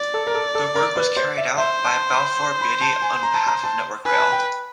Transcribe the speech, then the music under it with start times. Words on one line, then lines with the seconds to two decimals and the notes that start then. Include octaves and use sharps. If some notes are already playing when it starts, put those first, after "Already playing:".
The work was carried out by Balfour Beatty on behalf of Network Rail.
Already playing: D5
0.14 A4
0.27 A#4
0.35 A4
0.55 A4
0.75 A#4
0.96 B4
1.16 C5
1.37 E5
1.58 C5 E5
1.85 A5
2.13 B5
2.40 C6
2.61 B5
2.81 A5
3.02 G#5
3.23 A#5
3.34 A5
3.47 A#5
3.64 A5
4.05 B4 G#5
4.12 A5
4.20 G#5
4.32 G5